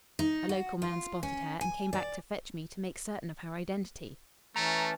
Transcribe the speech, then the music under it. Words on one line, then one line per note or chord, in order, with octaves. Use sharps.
A local man spotted her and came back to fetch me to make certain of her identity.
D#4
F#4
F4
C#4
G#5
D5
E3 A3 C#4 A5 A#5